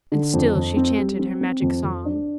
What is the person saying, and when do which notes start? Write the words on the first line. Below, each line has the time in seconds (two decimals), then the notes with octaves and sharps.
And still she chanted her Magic Song.
0.12 D3
0.34 F2
0.55 F2
0.77 C4
0.98 G3
1.19 C4
1.41 C4
1.62 F2
1.83 F2
2.05 D4